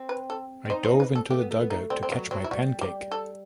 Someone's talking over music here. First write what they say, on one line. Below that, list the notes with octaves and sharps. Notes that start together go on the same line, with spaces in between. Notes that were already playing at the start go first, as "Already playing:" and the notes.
I dove into the dugout to catch my pancake.
Already playing: C4
B4
A4
C4
D#4 C5
C5
D#4
B4
A4
A3 G4
B3
A3
B3
A3 D#4
G3 C4
C4
F#3 B3
F#3 C4
E4
G3 F#4
G4
A4